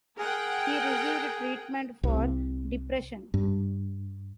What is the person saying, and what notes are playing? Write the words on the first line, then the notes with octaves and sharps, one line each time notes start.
He received treatment for depression.
G#4 A#4 F#5 G5
C2 C3
G2